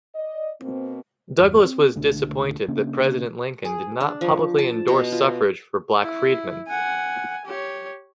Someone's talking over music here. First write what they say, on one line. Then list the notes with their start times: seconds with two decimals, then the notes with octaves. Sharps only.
Douglass was disappointed that President Lincoln did not publicly endorse suffrage for black freedmen.
0.14 D5 D#5
0.60 B2 A#3 C4
1.40 E2 G2
1.64 C4
1.96 C#2 B2 D3 A3
2.68 C#3 A#3 C#4 D4
3.65 G#4
4.01 D4
4.21 F3
4.58 A5
4.88 B2
5.12 F4
6.03 E4
6.68 F#5 G#5
7.45 G4 C#5